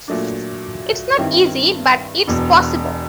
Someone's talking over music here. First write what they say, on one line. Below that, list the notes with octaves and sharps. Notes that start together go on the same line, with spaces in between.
It’s not easy, but it’s possible.
A#2 F#3 A3 D4
G2 D#3 G3 C4 E4
E1 E2 B2